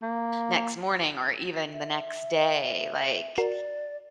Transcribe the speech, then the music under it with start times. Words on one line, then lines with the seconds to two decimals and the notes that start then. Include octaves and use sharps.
next morning or even the next day, like
0.02 A#3
1.73 E5
3.38 F#4 A#4 D5